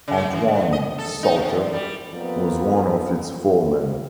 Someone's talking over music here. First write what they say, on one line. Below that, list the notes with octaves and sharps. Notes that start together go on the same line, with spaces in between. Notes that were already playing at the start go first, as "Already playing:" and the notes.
Antoine Sauter was one of its foremen.
C#3
E3
D3
D#5
A4
D#4
C3
E2
G3
F2 F3 A#3 B3 A#4